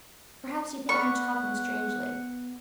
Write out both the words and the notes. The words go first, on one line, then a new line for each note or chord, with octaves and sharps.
Perhaps you think I am talking strangely.
B3 D5 F#5 B5 C#6 F6